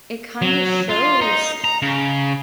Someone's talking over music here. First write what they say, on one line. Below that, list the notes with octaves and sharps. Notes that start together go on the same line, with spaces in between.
it kinda shows
F#3
F4
D#4
A#5
C#3